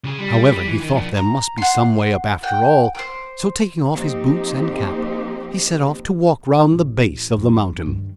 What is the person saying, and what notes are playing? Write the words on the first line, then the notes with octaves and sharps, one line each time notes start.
However, he thought there must be some way up after all; so taking off his boots and cap, he set off to walk round the base of the mountain.
C#3 G#4
G3
G3
E3
D#3
F3 D4
A#5
F#5 C6
F#5 G5
C5 D6
F3 A#3 C4 D#4 G4
A1
G1 F2
G2 D#3